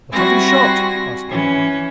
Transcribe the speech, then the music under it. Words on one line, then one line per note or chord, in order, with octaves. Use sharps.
'What have you shot?' asked the old man.
G3 C4 E4 F#4 G#5 A#6
E3 C#4